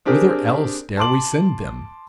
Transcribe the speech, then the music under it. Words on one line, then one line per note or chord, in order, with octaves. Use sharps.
Whither else dare we send them?
C4 D4 G4 G#4 A#4
A5 C6 D6 F#7